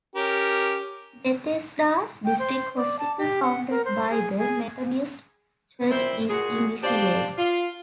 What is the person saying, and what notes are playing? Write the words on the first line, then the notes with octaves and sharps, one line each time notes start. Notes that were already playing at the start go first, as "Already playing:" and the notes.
Bethesda district hospital, founded by the Methodist Church is in this village.
C#4 G4 A#4
G5
C5
D5
A5
G4
F#5
A#4
C5
G#4
G#4
A#2 C4 E4 C5
A#2 F#4 G#4
D4 F4 G4 C5 D5
F4